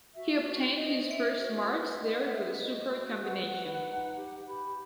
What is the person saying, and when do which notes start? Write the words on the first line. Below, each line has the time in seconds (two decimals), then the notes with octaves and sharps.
He obtained his first marks there with a super combination.
0.15 F#4 E5
0.46 C5
0.76 C5 D#5
1.08 C5 E5
1.38 F#4
1.70 B4
2.00 B4 D#5
2.23 F#5
2.31 B4 E5
2.62 F#4 D#5
2.92 F#4
3.23 B4 F#5
3.55 B4
3.85 D#4
4.16 G4
4.47 G4 B5